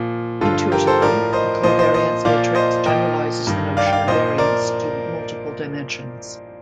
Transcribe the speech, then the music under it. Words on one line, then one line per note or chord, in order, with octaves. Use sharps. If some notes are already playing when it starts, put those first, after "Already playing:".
Intuitively, the covariance matrix generalizes the notion of variance to multiple dimensions.
Already playing: A#2 F3
G2 D3 F3 F4 A4
G4 A#4
A4 C5
A2 F3 A#4 D5
C5 D#5
A#2 F3 C5 D#5
C5 D#5
C5 D#5
A#2 F3 D5 F5
C5 D#5
A#2 F3 D#5 G5
G2 D#3
D5 F5
G5
D5 F5
A#2 F3 C5 D#5
A#4 D5